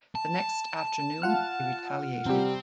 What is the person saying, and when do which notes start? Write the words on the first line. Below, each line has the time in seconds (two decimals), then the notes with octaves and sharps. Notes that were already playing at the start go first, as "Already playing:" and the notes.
The next afternoon they retaliated.
0.15 A5
1.22 F4 F#5 F6
2.26 C3 G3 C4